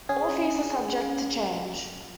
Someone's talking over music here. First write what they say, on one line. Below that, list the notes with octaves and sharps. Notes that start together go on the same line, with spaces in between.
All fees are subject to change.
C#4 G#4